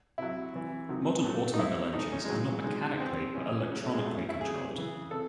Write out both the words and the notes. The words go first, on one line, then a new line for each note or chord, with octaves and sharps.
Modern automobile engines are not mechanically but electronically controlled.
C3 F#3 E4
C3 E3
C3 D#3 F#3
A2 F#3
D#4
C3 F#3 E4
A2 E3 D#4
C#4
G#3
C#3 E3 F#3
C3 D#3 F#3 G#3
C#3 E3 C4
C#3 E3 C#4
C#3 F#3 C#4
A3
G#3
A2 F#3 A3
C#4
E4
C3 F#3 G#4
C#3 E3
C3 A4